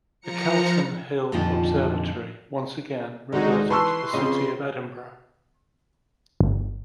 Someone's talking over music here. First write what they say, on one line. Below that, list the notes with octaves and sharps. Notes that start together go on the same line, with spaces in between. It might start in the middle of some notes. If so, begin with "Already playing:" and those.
The Calton Hill Observatory, once again, reverted to the City of Edinburgh.
F3 A#5 C#7
F2 A#2 D3 D#3 F3 F4
D#2 D3 G#3 D#4 F#4
E3 B4 A5 C6 C#6 E6
C#3 C4 F4 D#5
G1